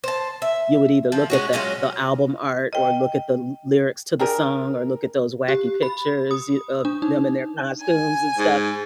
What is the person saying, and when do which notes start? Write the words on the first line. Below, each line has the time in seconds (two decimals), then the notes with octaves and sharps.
you would either look at the the album art, or look at the l lyrics to the song, or look at those wacky pictures you of them in their costumes and stuff.
0.04 C5 A5
0.42 E5
1.12 F3
1.30 G#3 C#4 F#4
1.53 F#3 G#3 C#4 F4
2.73 D#5 G5
4.19 D4 G4 G#4 A#4
5.48 G4
5.83 B5
6.31 D#6
6.85 D4
7.02 D#4
7.82 G#5
8.38 G#2